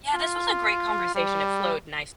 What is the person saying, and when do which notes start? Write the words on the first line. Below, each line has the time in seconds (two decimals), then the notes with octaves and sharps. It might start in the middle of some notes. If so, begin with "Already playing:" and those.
Yeah, this was a great conversation, it flowed nice
0.15 F4
1.15 G3